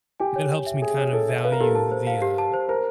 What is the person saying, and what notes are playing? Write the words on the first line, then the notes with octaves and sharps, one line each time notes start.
that helps me kind of value the, uh,
G4 G#5
C#5
C#5
E5
G#4 G#5
C#5
A4 C#5
E5
B4 F5
A#4
G4 A4
A#4
A5
C5
F5
G4
A5
C5
A#4 C5